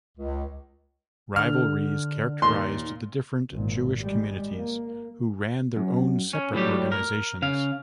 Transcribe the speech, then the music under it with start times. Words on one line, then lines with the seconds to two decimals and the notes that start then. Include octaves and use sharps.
Rivalries characterized the different Jewish communities, who ran their own separate organizations.
0.18 C#2
1.36 D3 F6
2.42 D#2 A#2 D#3 C6
3.52 G#1 A#2
4.01 G3 G#3
4.54 A#3
5.76 F#2
6.33 C#4
6.53 A2 F#3 G3 G4
6.92 A#4
7.42 C#3 F5